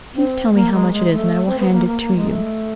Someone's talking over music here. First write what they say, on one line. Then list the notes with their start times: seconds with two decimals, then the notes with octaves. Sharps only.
Please tell me how much it is and I will hand it to you.
0.13 C4
0.53 A#3
0.72 G#3
0.92 G#3
1.12 A3
1.46 C4
1.58 B3
1.70 A#3
1.86 A#3
2.00 A#3
2.15 G#3
2.29 A3